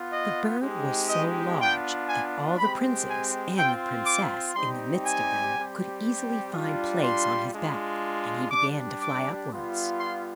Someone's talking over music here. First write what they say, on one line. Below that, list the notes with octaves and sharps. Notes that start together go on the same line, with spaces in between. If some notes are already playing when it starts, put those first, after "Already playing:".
The bird was so large that all the princes, and the princess in the midst of them, could easily find place on his back, and he began to fly upwards.
Already playing: B3 F4
D#5
G#3 C4 D#4 G4
D#5
B3 D4 F4 G5
G#5
G#3 C4 G4 B5
G#5
C4 F4 G5
D6
G3 C4 D#4 G4 C6
G#5
G3 C4 G4
G3 D4 F4
C6
G#3 D4 F4
G3 D4 G4 D6
D6
G3 B3 F4
C6